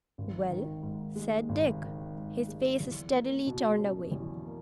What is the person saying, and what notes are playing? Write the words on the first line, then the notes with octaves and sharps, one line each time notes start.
'Well?' said Dick, his face steadily turned away.
G#1
D#3
G#2
G#3
G#1
D#3
G#2
G#3
E2
A#3
B2
C#4
E2
A#3